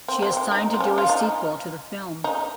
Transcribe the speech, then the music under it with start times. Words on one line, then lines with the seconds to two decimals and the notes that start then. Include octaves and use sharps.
She has signed to do a sequel to the film.
0.08 C4
0.22 C4
0.37 C4
0.52 D#4
0.74 C4
0.80 C#4
0.98 F4
1.09 D#4
2.24 D#4